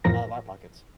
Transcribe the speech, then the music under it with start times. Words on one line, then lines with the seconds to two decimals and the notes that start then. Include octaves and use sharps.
out of our pockets.
0.04 F2 A2 E3 F3 A#4 A#6